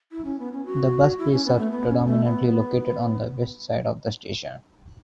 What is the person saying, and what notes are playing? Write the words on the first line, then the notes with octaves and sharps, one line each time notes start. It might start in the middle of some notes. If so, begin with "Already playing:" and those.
The bus bays are predominantly located on the west side of the station.
E4
C#4
B3
C#4
F#4
E4
C#4
B3
A3
B3
C#4
A3
B3